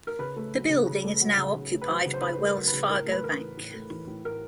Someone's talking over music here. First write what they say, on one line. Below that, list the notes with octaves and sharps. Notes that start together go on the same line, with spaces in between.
The building is now occupied by Wells Fargo Bank.
A#4
C#3 B4
A3
F#3
C#3
C#3
A3
F#3
C#3
C#3
A3
B4
F#3 C5
C#3
C5
C#3 B4
A3
A#4
F#3
B4
C#3
A2 A#4
A3
B4
E3 A#4
A2
A2
A3
E3
A2
A2 A#4